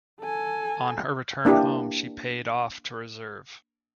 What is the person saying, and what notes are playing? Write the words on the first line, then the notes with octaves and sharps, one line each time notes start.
On her return home she paid off to reserve.
A4 G#5
A#3 D4 E4 G4